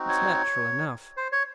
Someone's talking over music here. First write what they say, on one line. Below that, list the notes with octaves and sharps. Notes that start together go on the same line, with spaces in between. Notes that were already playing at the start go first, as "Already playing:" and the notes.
It's natural enough.
Already playing: C4 D#4 F#4
C#5
C5
C#5